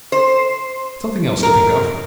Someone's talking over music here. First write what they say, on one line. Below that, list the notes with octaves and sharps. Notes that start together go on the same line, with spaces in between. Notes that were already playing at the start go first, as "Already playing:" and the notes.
Something else to think of.
C5
A#4